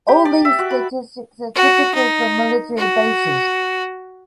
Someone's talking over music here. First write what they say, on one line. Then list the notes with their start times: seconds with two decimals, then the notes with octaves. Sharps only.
All these statistics are typical for military bases.
0.08 G4
0.25 D5
0.45 E5
0.59 F#4
0.71 B5
1.55 F#4
1.94 D#4
2.77 F#4